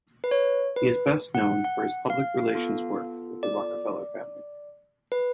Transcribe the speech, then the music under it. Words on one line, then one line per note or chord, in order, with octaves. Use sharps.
He is best known for his public relations work with the Rockefeller family.
B4
C#5
B4
F#5
F#5
F5
B3 F4 A4
D5
B4